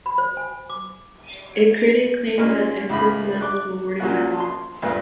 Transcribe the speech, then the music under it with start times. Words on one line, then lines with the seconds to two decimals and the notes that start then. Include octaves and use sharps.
A critic claimed that the excess medals were awarded by lot.
0.06 B5
0.18 C5
0.37 G#5
0.70 D6
2.38 A#2 G#3 A#3 C#4 A#4 F6
2.90 C#2 A2 F5 B5
3.41 D6 F#6
4.00 A#2 F3 A#3 C#4 F#4 F#6
4.40 C6
4.82 D2 G2 A#2 B3 B4 F5